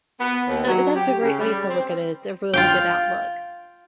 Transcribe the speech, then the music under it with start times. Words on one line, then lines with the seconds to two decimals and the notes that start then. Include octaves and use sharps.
Uh, and that's a great way to look at it, it's a really good outlook.
0.19 B3
0.48 D#2
0.68 F#3
0.96 G4
1.22 C#3
1.40 G3
1.70 C4
2.53 F4 F5 G5